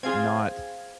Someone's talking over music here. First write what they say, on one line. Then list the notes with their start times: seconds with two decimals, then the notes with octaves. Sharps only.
not v
0.03 C4 F4 G#4 F5 G#6